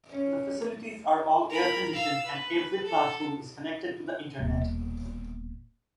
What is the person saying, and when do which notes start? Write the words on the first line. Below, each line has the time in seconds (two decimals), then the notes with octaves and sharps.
The facilities are all air-conditioned and every classroom is connected to the Internet.
0.11 C#4
1.50 A#4 B5
1.95 F5 E6
2.26 B4
2.83 A4
4.40 D#1 B2